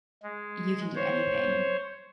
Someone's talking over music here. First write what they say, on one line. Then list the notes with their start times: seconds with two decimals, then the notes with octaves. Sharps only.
You can do anything,
0.23 G#3
0.96 C5 C#5